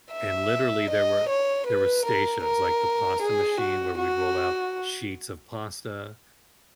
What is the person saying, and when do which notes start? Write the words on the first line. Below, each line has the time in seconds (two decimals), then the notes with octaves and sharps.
and literally, there were there were stations, like, the pasta machine where we'd roll out sheets of pasta.
0.13 E5
0.90 D#5
1.29 C#5
1.67 B4
2.06 A#4
2.44 A#4
3.22 G#4
3.60 F#4
3.98 F#4